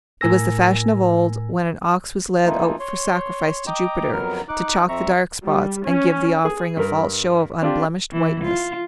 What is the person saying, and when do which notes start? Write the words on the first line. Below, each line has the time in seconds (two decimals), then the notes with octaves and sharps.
It was the fashion of old, when an ox was led out for sacrifice to Jupiter, to chalk the dark spots, and give the offering a false show of unblemished whiteness.
0.21 A2 A#4 G#5 E6 A#6
2.45 E3 A3 A#3 D#4 F4
2.80 C#5 C6
3.67 D#5 G5 A#5 D6
4.12 F2 F#3 B3 A#4 F6
4.49 D#4 D6 F#6
4.89 F2 C4 E5 A#5 C#6
5.44 G3
5.85 C#4
6.45 G#4
6.77 G2 A#4
7.62 C4 D4 F4 G4
8.13 E3
8.44 F4